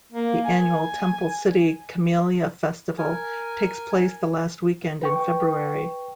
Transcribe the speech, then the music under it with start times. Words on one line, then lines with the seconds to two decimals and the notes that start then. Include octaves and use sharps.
The annual Temple City Camellia Festival takes place the last weekend in February.
0.12 A#3
0.45 G#5
2.98 A#4 G#5
5.02 B4 G5 C#6